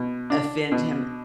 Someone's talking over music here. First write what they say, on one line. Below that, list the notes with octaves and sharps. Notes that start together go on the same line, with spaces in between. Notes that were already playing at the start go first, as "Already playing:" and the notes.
offend him,
Already playing: B2
D4
B2